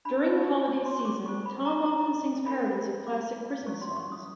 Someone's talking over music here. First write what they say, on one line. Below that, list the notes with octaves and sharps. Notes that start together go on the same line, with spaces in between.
During the holiday season, Tom often sings parodies of classic Christmas songs.
D4 G4 B4 B5
A5
G#5
C6
C#6
D6
F4 A4 C5 C#6
B5
A#5
A#5
F#4 A#4 C#5 B5
D6
C#4 E4 A4 C#6
C6
C#6
D#6